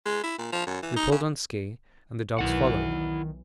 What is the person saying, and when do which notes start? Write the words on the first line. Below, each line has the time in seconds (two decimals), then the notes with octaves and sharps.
We pulled on ski and the dogs followed.
0.05 G#3
0.23 E4
0.38 A#2
0.52 F3
0.67 F#2
0.82 E3
0.96 D#4
1.12 C#3
2.39 B1 D#3 E3 E4 F#5